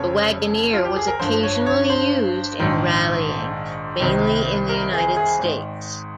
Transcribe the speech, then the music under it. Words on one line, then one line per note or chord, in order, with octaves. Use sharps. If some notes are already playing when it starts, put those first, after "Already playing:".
The Wagoneer was occasionally used in rallying, mainly in the United States.
Already playing: F1 F2 C#3 F3 C#5
F4
G4
G#4
A#4
G1 G2 F3 C5
C#5
C#5
C5
A#1 G#2 D#3
C2 C3 D#3
A#4
G#4
G#4
G#1 G#2 D#3